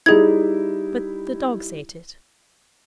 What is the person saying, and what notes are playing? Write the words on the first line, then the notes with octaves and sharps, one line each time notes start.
But the dogs ate it.'
G3 D#4 E4 G#4 G#6